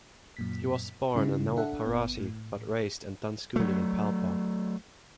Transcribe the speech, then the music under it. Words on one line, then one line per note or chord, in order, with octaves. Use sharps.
He was born in Nawalparasi but raised and done schooling in Palpa.
F#2 A#2 B6
G2 C#3 E4
D4 A4 E5 F#5
G1 B3
A2
F#3 A3